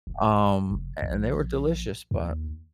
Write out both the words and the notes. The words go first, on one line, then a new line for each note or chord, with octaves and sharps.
um a and they were delicious, but,
D1
F1
A#1
D#2